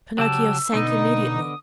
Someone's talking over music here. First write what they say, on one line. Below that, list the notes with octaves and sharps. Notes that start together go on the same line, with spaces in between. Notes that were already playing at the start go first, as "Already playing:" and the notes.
Pinocchio sank immediately.
C#3 F#3 G4 A5 E6
B2 D3 B3 D#4 D#5
D#6